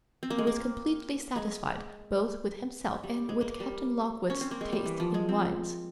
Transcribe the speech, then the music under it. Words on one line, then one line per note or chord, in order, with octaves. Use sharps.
He was completely satisfied, both with himself and with Captain Lockwood's taste in wines.
C4
A#3
G#3
A#3
G#3
G3
G#3
A#3
G3
C#4
C4
A#3
G#3
G3
E3
F3
G#3
C4